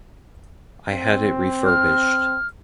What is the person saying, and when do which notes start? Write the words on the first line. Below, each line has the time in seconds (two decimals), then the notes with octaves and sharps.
I had it refurbished.
0.92 C4
1.65 F6